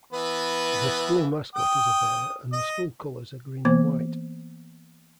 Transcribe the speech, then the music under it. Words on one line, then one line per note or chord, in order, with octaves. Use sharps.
The school mascot is a bear and the school colors are green and white.
E3 B3 B4
G5 D#6
D#5 D#6
E3 A#3 B3 C5